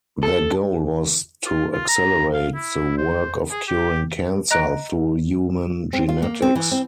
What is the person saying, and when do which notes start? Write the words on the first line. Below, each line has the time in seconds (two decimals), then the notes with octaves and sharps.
Their goal was to accelerate the work of curing cancer through human genetics.
0.23 A4
1.46 F4
1.73 F4
1.88 A#5
2.34 F5
2.55 E4
2.97 C5
3.51 G#4
3.68 G4
4.51 D#5 A#5 F#6 A#6 D7
5.93 C4
6.09 F4
6.22 A#3
6.42 C4
6.55 E3
6.71 C4